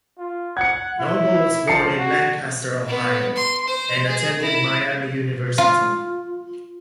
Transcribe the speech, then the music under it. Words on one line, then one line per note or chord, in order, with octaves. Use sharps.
Noble was born in Lancaster, Ohio, and attended Miami University.
F4
F#5 G#6 C#7
E4
F3 A5 C7 C#7
F#4
B3
C6
C5
G#4
E4
F4